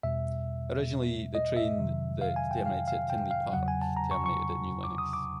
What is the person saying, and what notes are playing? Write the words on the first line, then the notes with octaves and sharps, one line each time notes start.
Originally the train that terminates at Tinley Park terminated at New Lenox.
E2 B2 G3 E5
D#5
E5
F2 C3 D#3 F#3
F5
G#5
G5
F5
F5
G5
F5
E2 C#3 F#3 F#5
G#5
A5
A#5
C#6
C#6
D6
D#6
D6